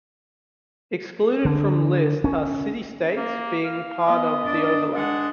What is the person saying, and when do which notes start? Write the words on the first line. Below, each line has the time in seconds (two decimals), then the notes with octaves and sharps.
Excluded from list are city-states being part of the overlap.
1.45 D3
2.24 C#4
3.17 A#3
3.64 F5
4.06 B3 D#5
4.45 D4 D5
4.95 G#3 D4 F#5